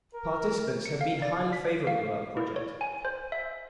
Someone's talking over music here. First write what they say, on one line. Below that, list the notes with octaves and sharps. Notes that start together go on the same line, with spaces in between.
Participants have been highly favorable about the project.
A#4
C#7
F5
D5
B6
F5
E4
C#5
G#5
C5
E5